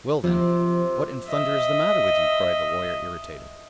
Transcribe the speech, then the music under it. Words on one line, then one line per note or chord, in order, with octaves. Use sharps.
"Well, then, what in thunder is the matter with you?" cried the Lawyer, irritated.
C3 F3
D#5 E5